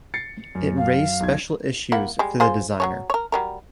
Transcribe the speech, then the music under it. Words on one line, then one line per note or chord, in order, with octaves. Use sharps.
It raised special issues for the designer.
A6 C7 C#7
F#2
F5
B1 G#6
A#3 E4 F#5
G3 G#3
F4 G#4 C5
F#3 G#3 C#5
A#4 C#5
F#3 G3 A#4